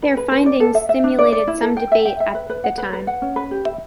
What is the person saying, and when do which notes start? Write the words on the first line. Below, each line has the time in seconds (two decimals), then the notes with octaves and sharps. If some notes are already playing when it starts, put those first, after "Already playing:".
Their finding stimulated some debate at the time.
0.03 B4
0.17 B4
0.31 B4
0.46 D5
0.60 A4
0.75 E5
0.89 E5
1.04 D4
1.19 D5
1.33 D5
1.47 E4
1.62 A4
1.77 G5
1.92 E5
2.05 G5
2.20 E5
2.35 B4
2.50 B4
2.64 F#5
2.78 B4
2.93 B4
3.07 F#5
3.22 C#4
3.36 B4
3.51 G4
3.65 E5